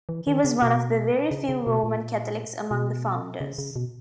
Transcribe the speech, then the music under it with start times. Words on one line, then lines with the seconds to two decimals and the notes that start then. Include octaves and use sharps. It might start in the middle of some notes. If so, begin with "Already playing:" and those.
He was one of the very few Roman Catholics among the Founders.
0.09 E3
0.27 D#3
0.44 C#3
0.62 B2
1.31 C#3
1.49 C#3
1.67 B2
1.83 A#2
2.71 B2
3.40 C#3
3.58 C#3
3.76 B2